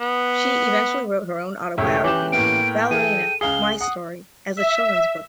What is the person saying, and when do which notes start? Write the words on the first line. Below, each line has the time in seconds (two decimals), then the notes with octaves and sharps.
She eventually wrote her own autobiography "Ballerina: My Story" as a children's book.
0.01 B3
1.78 E1 C#3 A3 G4 C#5 E5 G5
2.04 E3 C#4 G4 D6 F#6 G6 E7
2.32 A2 A#3 B3 G5 D7
2.91 E3 G#4 A4 D#7
3.41 C#2 G#4 F5 C7 G7
3.81 F#5 D#6
4.57 E5